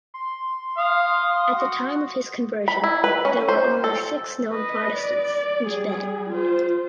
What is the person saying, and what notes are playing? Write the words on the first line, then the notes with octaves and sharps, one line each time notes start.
At the time of his conversion there were only six known Protestants in Japan.
C6
F5 D#6
F#4
B5
E4
B4
C#4
C5
A4
B4 D#5
D5
G3 G#4
F4 C5